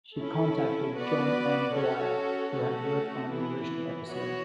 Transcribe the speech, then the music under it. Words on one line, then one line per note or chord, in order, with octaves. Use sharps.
She contacted John M. Dwyer, who had worked on the original episode.
C#4 E4 A4
B3 F#4 B4 D5
C#4 F#4 A4 C#5
A3 C#4 F#4 A4
E3 B3 E4
E3 B3 F#4 C#5